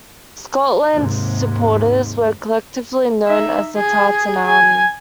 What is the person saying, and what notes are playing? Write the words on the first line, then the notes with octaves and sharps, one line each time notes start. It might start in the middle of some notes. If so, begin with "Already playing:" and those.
Scotland supporters are collectively known as the Tartan Army.
D#2 G#2 C3
D#4 E5
G#4
G#5